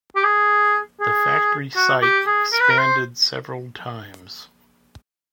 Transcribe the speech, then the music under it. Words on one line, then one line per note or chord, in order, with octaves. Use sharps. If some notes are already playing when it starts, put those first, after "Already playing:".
The factory site expanded several times.
G4
G#4
G#4
F#4
G4
G#4
A#4
B4
A#4
C5